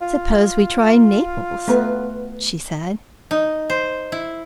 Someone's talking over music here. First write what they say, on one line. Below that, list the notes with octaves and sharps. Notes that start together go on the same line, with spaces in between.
"Suppose we try Naples?" she said.
F4
A3 B3 B4
D#4
C5
E4